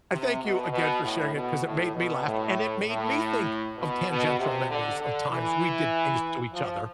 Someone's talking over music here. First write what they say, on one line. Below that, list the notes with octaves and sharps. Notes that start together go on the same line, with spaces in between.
I thank you again for sharing it 'cause it made me laugh, and it made me think of tangential memories of times we did things to each other,
C3
B2
B2
A2
B2
A2
B2
A2
A2
B2
B2
C3
D3
D3
E3
F3